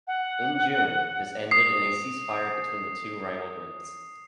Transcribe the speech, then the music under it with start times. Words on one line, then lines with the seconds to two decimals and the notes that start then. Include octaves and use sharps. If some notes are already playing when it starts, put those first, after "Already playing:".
In June, this ended in a ceasefire between the two rival groups.
0.07 F#5
1.51 D#6 C7